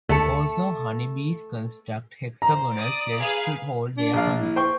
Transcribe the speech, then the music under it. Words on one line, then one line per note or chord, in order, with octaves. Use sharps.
Also, honeybees construct hexagonal cells to hold their honey.
D2 D3 A3 A4 C#7
C5 A#5
D5 D#6
G#4 B4 F5
D4
A#1 F5
E4
C5 G5 C#6